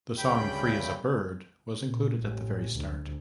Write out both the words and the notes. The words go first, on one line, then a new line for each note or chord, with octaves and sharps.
The song "Free as a Bird" was included at the very start.
D2 G2 C#3 G5 B5 G6
A#2
A1
D2